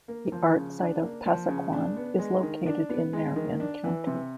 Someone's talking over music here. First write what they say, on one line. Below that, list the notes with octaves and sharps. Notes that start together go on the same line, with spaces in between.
The art site of Pasaquan is located in Marion County.
A#3
F3
C#3
D4
A#3
F3
C#3
D4
B3
G#3
D#3
D4
B3
G#3
D#3
D4
E3
C3